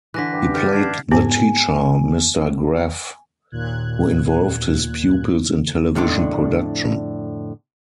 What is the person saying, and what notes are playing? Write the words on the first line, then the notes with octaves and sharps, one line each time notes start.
He played the teacher, Mr. Graff, who involved his pupils in television production.
D3 E3 F#6 A#6 B6
G2 G4
F6 G6 A6
D4 G#6 C7
G#2 B3 G4 G#5
D#2 A#2 F#6 G#6
F2 A2 D3 D4